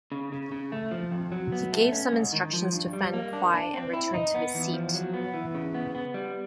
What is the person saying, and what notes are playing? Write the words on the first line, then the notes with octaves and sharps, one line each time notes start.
He gave some instructions to Fan Kuai and returned to his seat.
C#3
C#3
C#3
A3
F3
F2
F#3
B3
A3
C#4
G#2
D#3
F3
G2
G3
A#3
D4
D4
C4
E4
D#4
B3
E2
F3
F#3
B3
E3
C#3
B3
B3
G3